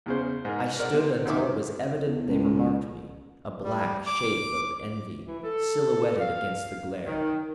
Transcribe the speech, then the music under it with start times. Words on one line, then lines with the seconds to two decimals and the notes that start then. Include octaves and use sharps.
I stood until it was evident they remarked me, a black shape of envy, silhouetted against the glare.
0.06 E2 C#3 C5
0.45 G#2 A#4
0.79 A#4 C5 D5 F#5
0.93 C3
1.25 F#2 D#3 E5 D6
2.05 E2
2.28 C#2
3.64 G3
4.06 D6
5.26 E3
5.44 A4
6.19 F5
7.06 D#3